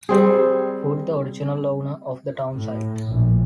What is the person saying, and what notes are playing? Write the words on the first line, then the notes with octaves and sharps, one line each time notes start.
Foot, the original owner of the town site.
G3 C4 G#4
A2
A#1